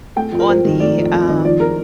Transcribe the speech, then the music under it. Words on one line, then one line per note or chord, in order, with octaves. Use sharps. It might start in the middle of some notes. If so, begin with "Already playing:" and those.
on the, um,
A3 G5
F2
A#4
F2 C5
D#3
A3 D5
F2
F2
D#3 D#5
F3 D5
A#4